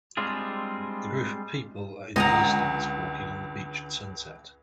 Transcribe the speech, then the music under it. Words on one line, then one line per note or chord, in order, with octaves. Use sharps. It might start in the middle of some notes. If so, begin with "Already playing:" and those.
A group of people are in the distance walking on a beach at sunset.
G3 G#3 C4 D4 F4 G#4
C#2 D3 D#5 F#5 G#5 A#5